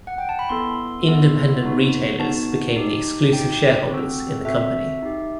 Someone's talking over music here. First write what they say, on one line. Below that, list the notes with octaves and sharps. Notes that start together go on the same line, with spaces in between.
Independent retailers became the exclusive shareholders in the company.
F#5
G5
A5
B5
B3 E4 A4 C6
B3 E4 A4
B3 D#4 F#4
B3 D#4 F#4 A5
D#4 G4
D#4 G4 G5
C4 F#4 A4
C4 F#4 A4 E5
D#4 G4